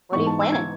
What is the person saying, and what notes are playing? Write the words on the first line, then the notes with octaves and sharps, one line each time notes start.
what are you planning?
G#2 E3 B3 C#6
A5
E6
G#6